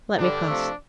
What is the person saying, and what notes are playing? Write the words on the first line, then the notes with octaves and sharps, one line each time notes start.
Let me pass.
G2 D3 G3 D4
C3 F3 A3